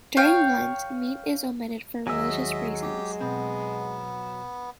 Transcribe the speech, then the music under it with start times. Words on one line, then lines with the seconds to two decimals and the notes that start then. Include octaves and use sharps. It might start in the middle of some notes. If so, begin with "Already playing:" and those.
During Lent, meat is omitted for religious reasons.
0.17 C#5 F5 G5
2.07 D#2 F#3 G#3 D#5 E5 G#5 E6
2.82 G4
3.21 B2 B3 C4